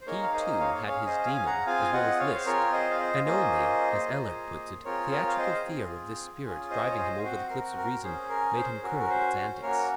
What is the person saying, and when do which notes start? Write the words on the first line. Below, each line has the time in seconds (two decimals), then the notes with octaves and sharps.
He, too, had his demon as well as Liszt, and only, as Ehlert puts it, "theoretical fear" of this spirit driving him over the cliffs of reason made him curb its antics.
0.01 C5
0.07 A#3 D#4 G#4 A#4 C#5
0.23 F5
0.33 C5 D#5
0.60 C#5 F5
0.87 C#4 G#4 C#5 F5
1.06 C5 D#5
1.26 F5 G#5
1.46 F#5 A#5
1.66 C4 F4 G#4 F5 G#5
1.92 D#5 F#5
2.19 C#5 F5
2.35 C5
2.46 C4 F4 G#4 A#4 C#5
2.73 C5 D#5
2.90 F5
2.99 C5 D#5
3.25 A#3 C#4 F4 G#4 C5 D#5
4.05 A#3 F4 G#4
4.85 C4 F4 G#4 A#4 C#5
5.11 A#4 C#5
5.27 F5
5.38 C5 D#5
5.65 C4 F4 G#4
6.44 C#4 F4 G#4
6.70 C5 D#5
6.91 C#5
6.98 C5 D#5
7.23 C4 F#4 C5
7.50 A#4
7.77 A#4
8.03 C#4 G#4 C5
8.30 A#4
8.56 C5
8.82 C#4 F#4 A#4
8.99 A#4
9.10 C5
9.36 C5
9.62 A#3 C#4 F#4 A#4 C#5